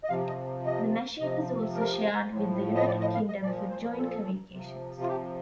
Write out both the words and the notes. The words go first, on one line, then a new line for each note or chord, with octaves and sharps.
The machine was also shared with the United Kingdom for joint communications.
D#5
C3 F3 F5
D#5
D#5
C3 F3 D#5
A#4
A2
F3
D#5
D5
D#5
F5
D#5
A#2 F3 D5
C5
A4
C3 F3
F4
G4